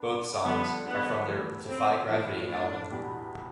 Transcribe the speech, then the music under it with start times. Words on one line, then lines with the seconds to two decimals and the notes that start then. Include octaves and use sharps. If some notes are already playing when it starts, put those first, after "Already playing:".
Both songs are from their "Defy Gravity" album.
Already playing: B3 D4
0.45 F2 D3 G3 B3 D4
0.86 B3
1.27 E3 A3 E4 G4
1.68 C4
2.09 A2 E3 B3 D4 F4
2.49 D4
2.91 E2 B2 B3 E4 G4